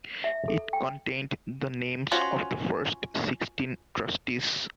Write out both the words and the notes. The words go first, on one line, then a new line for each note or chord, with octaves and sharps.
It contained the names of the first sixteen trustees.
E5
A4
G5
C#4 F4 F#4 C5